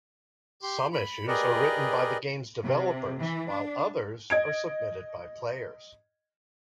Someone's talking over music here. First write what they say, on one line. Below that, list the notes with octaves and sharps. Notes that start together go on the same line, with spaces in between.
Some issues are written by the game's developers, while others are submitted by players.
G4 C6
B5
G4 G#4 A#4 B4 D5 D#5
C3
E3
D4
D#5 G#6 D7